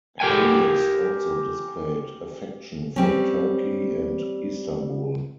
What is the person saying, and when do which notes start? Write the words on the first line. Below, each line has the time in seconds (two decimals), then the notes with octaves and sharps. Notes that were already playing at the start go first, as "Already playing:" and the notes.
Hayes also displayed affection for Turkey and Istanbul.
0.20 G4 A#4 G5 G#5
2.96 G3 C4 C#4